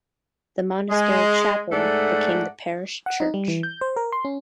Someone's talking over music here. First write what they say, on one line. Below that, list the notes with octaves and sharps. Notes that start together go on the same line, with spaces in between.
The monastery chapel became the parish church.
G#3
G#2 A3 A4 D5 F#5
F#5
D#4
G3
E3
G6
C5
A#4
C6
C#4